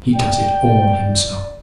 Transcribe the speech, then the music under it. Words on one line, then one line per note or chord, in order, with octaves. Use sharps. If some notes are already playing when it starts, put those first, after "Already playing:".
He does it all himself.
D5 G5